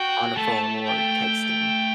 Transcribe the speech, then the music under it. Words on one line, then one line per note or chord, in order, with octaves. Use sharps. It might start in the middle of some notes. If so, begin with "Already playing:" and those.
on a phone or texting.
Already playing: F#4 G5
A3 A5
G5